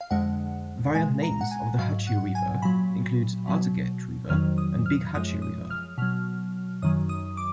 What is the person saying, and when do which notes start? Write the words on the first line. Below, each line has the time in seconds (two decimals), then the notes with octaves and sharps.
Variant names of the Hatchie River include Arteguet River and Big Hatchie River.
0.01 F5
0.11 F2 D3 G#3 F#5
0.95 A#2 G#3 G#5
1.23 A#5
1.41 F#5
1.51 G#5
1.78 G#2 F#3 F5
2.07 F#5
2.35 G#5
2.62 A#2 F#3 B5
3.47 B2 F#3
4.30 F2 D#3 F#3 F6
4.58 D#6
4.86 F6
5.15 F#2 F3 G#3 D#6
5.42 D#6
5.70 F6
5.98 B2 F#3 F6
6.82 F#2 D#3 F#3 D#6
7.09 D#6
7.37 D6